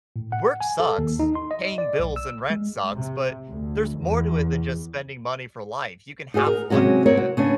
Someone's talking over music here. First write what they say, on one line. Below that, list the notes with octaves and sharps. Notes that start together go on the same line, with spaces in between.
work sucks. Paying bills and rent sucks, but there's more to it than just spending money for life. You can have fun with it."
A2
F#5
G#5
A4
D#2
D#4
C6
D#5
D5
B1
E6
G#3
C3
D2
E2
D#4 F#4 G#4 D#5
A#4
C3 F#3 G#3 C#4 F#4
C4 A#4 C#5 D5
F#4
C#3 C#4 D4